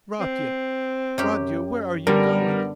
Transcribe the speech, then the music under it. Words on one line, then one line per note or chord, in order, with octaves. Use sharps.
Rodya, Rodya, where are you going?
C4
F#2 G4
D3 G3 B3 A#4